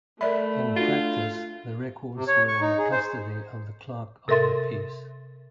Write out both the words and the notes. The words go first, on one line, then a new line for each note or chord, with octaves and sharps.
In practice, the records were in the custody of the clerk of the peace.
A3 A#4 D5 E5 B5
D4 F4 F#4
C3
C#5
C#6
D#4
G#4
C5
C3 A4 A#4 E5 C6 A6